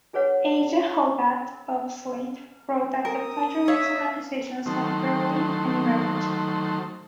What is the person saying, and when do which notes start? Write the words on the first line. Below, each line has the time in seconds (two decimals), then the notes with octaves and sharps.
Aja Hoggatt of "Slate" wrote that the plagiarism accusations had "barely" any merit.
0.13 D4 G#4 B4 C#5 F#5
3.05 A#4 D#6
3.68 C#5 E5 F5
4.66 D#3 F#3 A3 C5